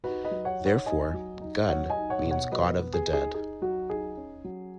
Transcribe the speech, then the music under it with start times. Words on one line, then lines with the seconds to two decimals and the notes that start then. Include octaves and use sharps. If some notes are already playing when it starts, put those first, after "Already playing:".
Therefore, Gunn means "God of the Dead".
0.04 D#4 F#4 B4
0.25 B4 D#5
0.31 F#3
0.45 C#5 F#5
0.59 D#4
0.65 C#5 F#5
0.86 D#4 D#5 G#5
1.13 F#3
1.41 D#4
1.68 F#3 C#5 F#5
1.90 D#5 G#5
1.96 D#4
2.10 C#5 F#5
2.24 B2
2.31 C#5 F#5
2.52 F#3 B4 D#5
2.79 B3
2.93 G#4
3.07 D#4
3.13 G#4
3.34 D#4 G#4
3.62 F#3 F#4
3.89 D#4 G#4
4.17 C#4
4.44 F#3